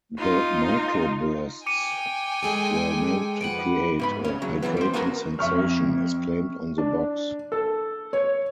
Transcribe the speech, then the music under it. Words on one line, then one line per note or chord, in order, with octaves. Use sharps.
The "micro-bursts" were meant to create "a hydrating sensation", as claimed on the box.
D#4 F4
G5 G#5 D6 C#7 D#7
G#3 G#4 A4
F2 B4 F#5 D7 F#7
G#2 B3 B5
C#3 C#4
C#3 F#3
F2 E3 F#3 B3
G3 C5
A#3 B3 C#4 F#4 G#4 A#4
F2 E5 C#6 F6
D4
A4
C#5